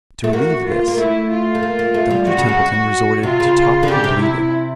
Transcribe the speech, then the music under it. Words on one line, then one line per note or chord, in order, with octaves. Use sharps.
To relieve this, Dr. Templeton resorted to topical bleeding.
A3
A#3 F#4
F4
A#3
A3 E4
F4
A3
A#3
A#3
A3
G3
G3 F#4
C#3
C#3
C3 F4
C#3
D3
C#3 G4
C3
E4